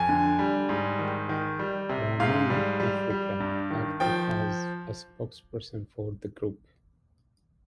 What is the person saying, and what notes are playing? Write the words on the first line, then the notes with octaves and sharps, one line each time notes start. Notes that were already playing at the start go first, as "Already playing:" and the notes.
Ramona Africa acts as a spokesperson for the group.
Already playing: F2 G#5
D3
G3
G#2
D#3
D#3
G3
C3
G#2 F5
G3
G3
G3
G2
D#3
F3 G5